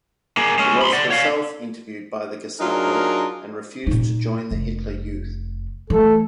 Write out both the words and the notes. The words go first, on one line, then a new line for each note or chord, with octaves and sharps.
She was herself interviewed by the Gestapo and refused to join the Hitler Youth.
A#3 G#4
G#3 C#4
B5 C6
D5 F#5
C#5 F5
F#3 D4 D#4 F4 G#4 A#4
A#2 D#4
F1
E3 A3 A4